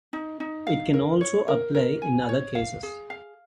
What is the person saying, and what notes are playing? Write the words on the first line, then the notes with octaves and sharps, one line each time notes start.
It can also apply in other cases.
D#4
D#4
F5
A#4
C#5
A#4
A#4
G#5
C#5
F5
G#4
F5